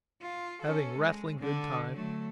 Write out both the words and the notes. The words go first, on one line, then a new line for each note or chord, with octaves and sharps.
Having rattling good time.
F4
C#4 A4
G#3
D3
F#3 A3